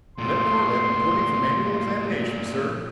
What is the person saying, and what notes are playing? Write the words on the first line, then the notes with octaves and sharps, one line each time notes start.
"Cadet Corbett reporting for manual examination, sir!"
A#2 A3 C6